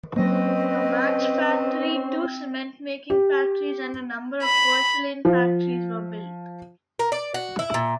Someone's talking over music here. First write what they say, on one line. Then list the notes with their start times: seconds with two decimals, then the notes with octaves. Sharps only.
A match factory, two cement-making factories, and a number of porcelain factories were built.
0.16 F#3 A#3 C4 C#4 B4 C5 D#5
3.10 G4
4.44 B5
5.25 F3
6.99 A#4
7.12 D5
7.34 F#4
7.59 E4
7.74 A#2